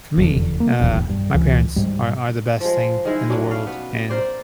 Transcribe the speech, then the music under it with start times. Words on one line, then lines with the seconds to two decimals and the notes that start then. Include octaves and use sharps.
for me, uh, my parents are are the best thing in the world and
0.18 F1 E2 D3
0.60 A#3
0.79 D#1 B1 E2
1.09 G2
1.34 C#2 E3
1.76 G#2 G3
2.60 F3 G#3
3.05 D#3 G#3 E4
3.29 B2 F#3 C#4 D4
3.51 F5
3.67 B3
4.09 A#4 C5 D5